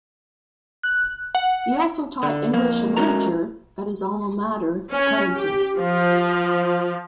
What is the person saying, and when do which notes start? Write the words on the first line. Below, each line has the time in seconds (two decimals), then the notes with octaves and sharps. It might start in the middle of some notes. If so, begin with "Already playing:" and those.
He also taught English and Literature at his alma mater, Cuttington.
0.83 F#6
1.35 F#5
2.23 D3
2.53 F2 A#3
2.97 G#3 A3 C#4 F#4 A#4 A#5
4.92 C#4
5.36 G4
5.77 F3